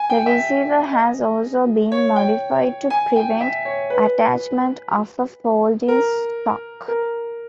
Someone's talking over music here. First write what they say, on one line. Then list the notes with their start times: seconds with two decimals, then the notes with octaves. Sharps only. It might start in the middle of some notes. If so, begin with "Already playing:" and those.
The receiver has also been modified to prevent attachment of a folding stock.
Already playing: G#5
0.10 G5
0.26 E5
0.92 D#5
1.92 C#5
2.16 G5
2.90 G#5
3.16 G5
3.41 E5
3.65 C#5
3.90 B4
5.88 A#4
6.88 A#4